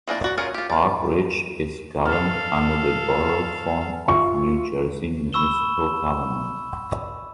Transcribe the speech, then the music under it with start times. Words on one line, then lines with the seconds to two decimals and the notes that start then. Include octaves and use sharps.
Park Ridge is governed under the Borough form of New Jersey municipal government.
0.08 E3 A#3 D4 D5
0.24 F#4 D5
0.38 C#4 F4 G#4 A#4 C#5
0.54 F4 G4
0.70 D5 F5
2.05 A4 F5 F6
4.08 F4 E5 C#6
5.33 B5 C#6 E6 E7 G7